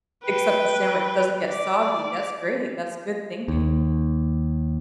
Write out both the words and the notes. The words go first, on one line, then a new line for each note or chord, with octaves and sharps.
Except the sandwich doesn't get soggy, that's great, that's good thinking.
B4 G5
D5
D#2